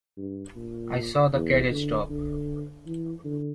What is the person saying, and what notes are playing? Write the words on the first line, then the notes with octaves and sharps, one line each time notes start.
I saw the carriage stop.
G2
A#2
E2
D3
D3
E3
D3